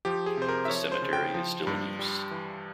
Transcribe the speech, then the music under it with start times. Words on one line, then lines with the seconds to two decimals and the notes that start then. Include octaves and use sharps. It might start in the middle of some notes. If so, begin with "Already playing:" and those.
The cemetery is still in use.
0.05 F3 G4
0.26 G#4
0.37 C3 C5
0.49 A#4
0.65 E5
0.70 F3 C#5
0.92 C5
1.02 C#3
1.13 G5
1.34 F3
1.67 G2
1.99 G3
2.31 E3